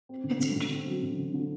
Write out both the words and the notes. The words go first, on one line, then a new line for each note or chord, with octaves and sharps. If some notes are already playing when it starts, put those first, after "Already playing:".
That's interesting.
C4
D3
D3
D3
C4
F#3
D3
D3
D3